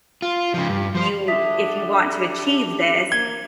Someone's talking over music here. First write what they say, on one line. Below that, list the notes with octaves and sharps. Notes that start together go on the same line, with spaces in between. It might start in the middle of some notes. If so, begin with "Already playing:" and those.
you if you want to achieve this,
F4
C#3 F3
G2
F3 C5
D4 G4 A4 E5 D#6 B6
A#3 G#6 G7